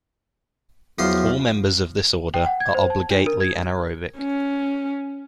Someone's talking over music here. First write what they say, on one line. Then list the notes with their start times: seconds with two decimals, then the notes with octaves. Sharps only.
All members of this order are obligately anaerobic.
0.99 E2 F3 F#3 C6
2.34 G5
2.46 F#5
2.60 G#6
2.74 C5
2.90 A5
3.11 D4
3.26 A#4
3.40 G#6
4.18 C#4